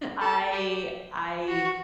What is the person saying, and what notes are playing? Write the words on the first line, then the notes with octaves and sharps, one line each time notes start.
I, I
A4
G4
F#4